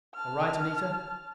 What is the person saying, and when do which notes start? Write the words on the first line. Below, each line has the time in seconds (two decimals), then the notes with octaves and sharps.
"All right, Anita?"
0.14 A5 F6